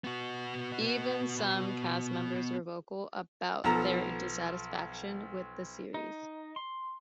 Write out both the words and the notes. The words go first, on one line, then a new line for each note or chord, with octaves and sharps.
Even some castmembers were vocal about their dissatisfaction with the series.
B3 F#4
B1 F3 B3 A4 A#5
D#4
C6